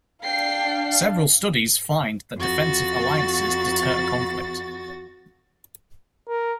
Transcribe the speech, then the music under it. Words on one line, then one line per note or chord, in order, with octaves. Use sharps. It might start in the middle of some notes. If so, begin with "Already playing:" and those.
Several studies find that defensive alliances deter conflict.
D4 F5 G5 C7
F2 F#4 A6
A#4